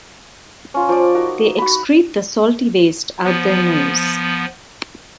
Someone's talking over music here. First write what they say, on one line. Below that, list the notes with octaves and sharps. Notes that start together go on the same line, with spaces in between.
They excrete the salty waste out their nose.
C#4 F4
F3 D5
D#4 F#4 A#4
F#4 B5
F3 B3